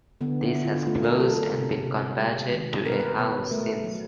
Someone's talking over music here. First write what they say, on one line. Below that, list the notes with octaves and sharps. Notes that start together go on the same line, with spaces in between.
This has closed and been converted to a house since.
D3 B3
E4
D3
F4
A3 F4
A#4
F#3 A4
A#4
C3
C3
G#3
D#3
B2 A#4
B4
A#4
B2 B4
A3 A#4
F#3